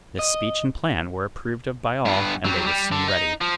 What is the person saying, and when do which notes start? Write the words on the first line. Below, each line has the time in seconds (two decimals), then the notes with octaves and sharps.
This speech and plan were approved of by all, and they were soon ready.
0.19 D#5
2.05 G2 B3
2.45 F#3 G3
2.67 G3
2.92 D3
3.08 D#4
3.41 F3